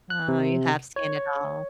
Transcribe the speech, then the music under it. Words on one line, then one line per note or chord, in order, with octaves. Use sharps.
Oh, you have seen it all.
F#6
C3
C#5